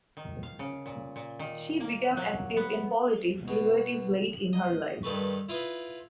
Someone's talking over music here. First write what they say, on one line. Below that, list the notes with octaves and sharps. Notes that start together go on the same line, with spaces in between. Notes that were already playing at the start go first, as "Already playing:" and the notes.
She became active in politics relative late in her life.
D#3
F5
C#3
A#2
A#2
D#3
A#3
F#3
B3
B2
D#5
G2 D#3 A4 B4 C#6
E4 F4 B4 D#6